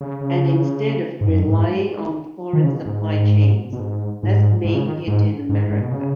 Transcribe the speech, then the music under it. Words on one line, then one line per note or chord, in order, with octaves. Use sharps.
And instead of relying on foreign supply chains, let’s make it in America.
C#3
C#3
G#2
F#2
G#2
D#3
C#3
B2
G#2
B2
G#2
G#2
G#2
C#3
D#3
G#2
G#2
G#2
B2
C#3